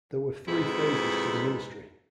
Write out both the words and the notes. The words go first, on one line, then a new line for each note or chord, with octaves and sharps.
There were three phases to the ministry.
F2 G#2 B2 G#3 E4